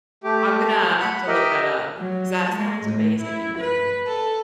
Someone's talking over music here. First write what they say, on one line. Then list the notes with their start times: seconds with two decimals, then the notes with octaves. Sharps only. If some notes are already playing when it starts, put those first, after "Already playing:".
I'm gonna have to look that up, 'cause that sounds amazing.
0.24 A3 G4
1.01 F#5 B5
1.27 G4 A#4 D#5 E5
1.99 F#3
2.51 G#3
2.84 A2
3.21 E4
3.59 B4
4.07 A4